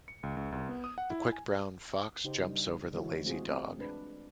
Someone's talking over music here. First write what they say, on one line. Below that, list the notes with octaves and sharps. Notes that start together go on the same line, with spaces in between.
The quick brown fox jumps over the lazy dog.
C#7
C#2
C#2
C2
B3
D#6
F#5
E4
G#5
C#3 D#4 G4 C5
G3 D4 D#4
D3 E3 G#3 E4 F#4 C#5
G#3 A3 C4 F4 F#4 G#4
C4
G#3 D4 B4